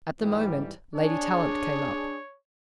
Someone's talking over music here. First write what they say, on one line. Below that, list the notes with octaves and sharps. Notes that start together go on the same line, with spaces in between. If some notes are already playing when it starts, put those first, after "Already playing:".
At the moment, Lady Tallant came up.
G#2 E3 G3
D4 G#4 C#5